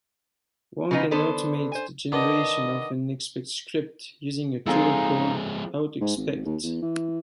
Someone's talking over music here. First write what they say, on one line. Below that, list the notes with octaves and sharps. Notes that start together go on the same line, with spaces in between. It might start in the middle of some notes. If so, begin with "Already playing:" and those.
One can automate the generation of an expect script using a tool called 'autoexpect'.
C#3 E3 F3 B3 D#4
D3 B3 A4 C5
C5 G#5
D#3 B3 D4 D#5
F3 G#3 C4 D#4 G#4 A4 F5
G#2
G#1
D#2
E2
E3